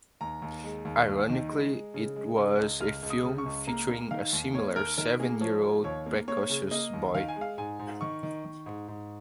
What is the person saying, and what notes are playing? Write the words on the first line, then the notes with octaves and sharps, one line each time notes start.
Ironically it was a film featuring a similar seven-year-old precocious boy.
D#2 A#5
D#2
G#3
D#2
D#2
D#3
G#3
G#3
C#3
G#3
C#3
C#2
C#2 F6
C#2
D#6
C#3
C#6
C#2
A#3 A#5
A#3
D#3 F5
D#2
A#3 C#5
D#2 A#4
D#3 A#4
A#3 G#4
F3 C#5
F3
D#2 C#5
A#3
A#3 C#5
C#3
A#3 D#5
D#2
D#3 F5
G#5
G#3
F5
G#2 G#5
G#2
D#3 C#6
D#3
D#3
G#2
G#2